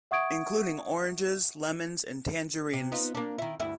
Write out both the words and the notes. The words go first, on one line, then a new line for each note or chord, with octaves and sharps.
Including oranges, lemons, and tangerines.
E5 F#5 C#6 D#6 G#6 D7
C3
B3 D#4 F4
A#3 D4
D#3 E4
D2 G2 E4